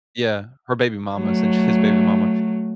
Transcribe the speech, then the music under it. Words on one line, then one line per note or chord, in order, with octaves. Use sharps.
yeah, her baby mama s and his baby mama.
F#3 A3